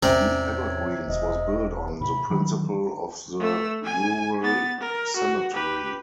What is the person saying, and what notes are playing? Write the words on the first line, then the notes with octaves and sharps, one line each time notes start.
The Evergreens was built on the principle of the rural cemetery.
E2 A2 C3 C#4 A#4 D5
C#5
E1 D#5
A2 C3 B5
D#3 E3 F#3
A3 E6
G#5
B3 A6
A#4
F#4
G4 B4